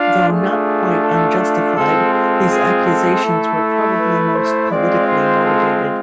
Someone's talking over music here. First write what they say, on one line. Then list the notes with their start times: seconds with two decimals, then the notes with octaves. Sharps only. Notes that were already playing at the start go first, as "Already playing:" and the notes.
Though not quite unjustified these accusations were probably mostly politically motivated.
Already playing: D4 F4 F5
0.28 A3 D4 F4 G#4
1.03 A4
1.39 A4
1.76 G#3 C4 F4 A4
2.13 A4
2.50 G#4
2.87 A4
3.24 A3 E4
3.97 B4
4.34 C5
4.71 G#3 C4 F4 D5
5.08 C5
5.45 A4